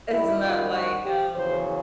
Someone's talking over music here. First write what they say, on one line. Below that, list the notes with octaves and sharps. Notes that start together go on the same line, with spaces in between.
it's not like, um,
F#2 D#3 G3 E4
F4
F#4
G4
E2 C#3 F#3 C5